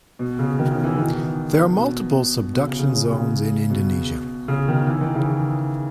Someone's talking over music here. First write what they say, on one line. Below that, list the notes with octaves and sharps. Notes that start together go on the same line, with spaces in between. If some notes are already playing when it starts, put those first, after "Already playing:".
There are multiple subduction zones in Indonesia.
B2
C#3
B2 D#3
C#3
C#3 E3
B2 D#3
B2
B2
C#3
C#3
C#3
B2
C#3
B2
C#3
B2 D#3
E3
D#3
C#3 E3